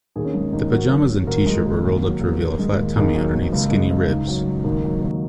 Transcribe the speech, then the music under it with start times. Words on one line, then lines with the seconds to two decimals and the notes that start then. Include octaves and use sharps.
The pajamas and T-shirt were rolled up to reveal a flat tummy underneath skinny ribs.
0.16 D#2 D#4 G#4
0.25 C#4
0.34 G#3 D#4
0.52 D#2 D#4
0.71 F#2 F#4 A#4
0.90 F#3
1.08 F#2
1.27 D#2 F#4 A#4
1.46 G#3
1.65 D#2
1.84 D#2
2.03 F#3
2.21 D#2
2.40 D#2
2.59 G#3
2.78 D#2
2.96 D#2 D#4 G#4
3.14 F#3
3.34 D#2
3.52 C#2
3.70 G#3
3.90 C#2
4.08 C#2 D#4
4.27 F#3
4.46 C#2
4.64 D#2 D#4
4.84 F#3
5.01 D#2